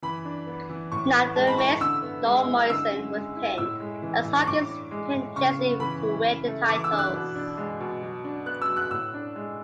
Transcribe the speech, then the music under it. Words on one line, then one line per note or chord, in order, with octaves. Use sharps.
Neither Miz nor Morrison were pinned, as Hawkins pinned Jesse to win the titles.
E3 B5
D4
B3
E3
A2 C#6
B3
G#3 A5
B5
E4 C#6
D3 E6
B3
G#3
E4
D3 E6
C#4
G#3
E4
A2 E6
G#3
E3
A2
C#6
A2 D6
D4
G#3
A2
C#3 C#6
B3
E3 B5
E4
C#3
A3
E3 D6
E6
D4
F#6
B2
D4
G#3
B2
F#3
D4
B3 F#6
E6
F#3
F#6
A2 E6
D4
G#3